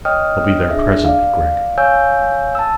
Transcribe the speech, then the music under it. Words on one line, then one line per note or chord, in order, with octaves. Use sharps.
"I'll be there presently, Gregg."
C#5 D#5 G5 D#6 F6
D4 G#4 E5
D5 F5
C#5 F5 G#5 E6 G6
A5 E6